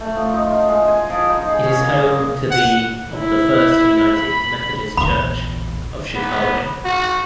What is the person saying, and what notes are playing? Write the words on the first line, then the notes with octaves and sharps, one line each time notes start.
It is home to the of the First United Methodist Church of Chicago.
A3
F3
D#4
F4
G#3
G#5
F3
D#4
G#4
C#4
A#3
F#2
F#5
E4
B5
A#1 E2 B5
B3
F#4